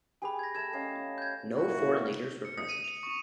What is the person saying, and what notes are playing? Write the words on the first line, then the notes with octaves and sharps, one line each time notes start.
No foreign leaders were present.
G4 G#4 B4 G#5 B5
G#6 A#6
A3 A5 E6 G#6 E7
C#4 D#5 F5
G6 G#6
A#2 E3 F#3 A#3 E4 F#4
C#7
D#6
D#7
F7
C#6